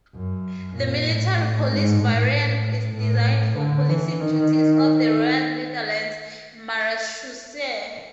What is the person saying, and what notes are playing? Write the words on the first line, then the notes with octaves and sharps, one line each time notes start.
The military police variant is designed for policing duties of the Royal Netherlands Marechaussee.
F#2
A#2
A2
G#2
A2
A2
D3
E3
D#3